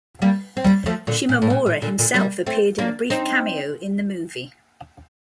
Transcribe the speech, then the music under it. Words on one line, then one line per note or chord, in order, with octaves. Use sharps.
Shimomura, himself, appeared in a brief cameo in the movie.
G3 A#3
C4
G3 A#3
F3 A3
A#2 D3
A#2
A2
A#2
A#2
A#2 D3
A#2 D3
G3 A#3
A3 C4
A#3 D4
C4 D#4